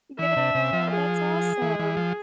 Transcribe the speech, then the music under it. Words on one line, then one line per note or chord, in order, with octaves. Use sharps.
Yeah, that's awesome.
E3 E5
C3
C3
F3
G#4
E3
E3
F3